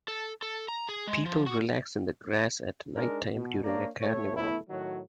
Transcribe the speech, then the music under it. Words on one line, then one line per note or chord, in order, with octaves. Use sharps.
People relax in the grass at nighttime during a carnival.
A4
A4
A#5
G#4
G#3
F3
F#4
G#3 D4 D#4 A#4
B2
A#3 D4 C#5 D5 A#5
A3 C#5
A3 B3 E4
A2 D#3 F#3